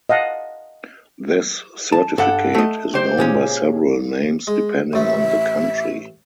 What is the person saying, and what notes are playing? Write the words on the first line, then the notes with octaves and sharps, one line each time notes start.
This certificate is known by several names depending on the country.
D#5 F5 F#5 A5
A5
G2 A4 F#5
A3 D#5
G4 C5
A#2 G#3 C#4
G#3
A1 A3 E5